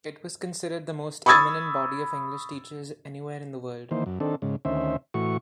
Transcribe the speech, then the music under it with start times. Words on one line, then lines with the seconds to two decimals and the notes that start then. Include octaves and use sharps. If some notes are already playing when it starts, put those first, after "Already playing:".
It was considered the most eminent body of English teachers anywhere in the world.
1.26 B5 C#6 D#6 E6 G#6 A6
3.91 D#3 E3 A#3 C5
4.06 F#2
4.20 D#3 C4 D4 A4
4.42 G#2 C#3
4.65 D2 D#3 C#4 C5 E5
5.14 A2 E3 F#4 C#6